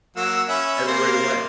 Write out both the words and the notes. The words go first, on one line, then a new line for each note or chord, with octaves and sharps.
Everywhere you went.
F#3 A#3 F#5 E6
C#4 E5 B5
A#3 C5 F5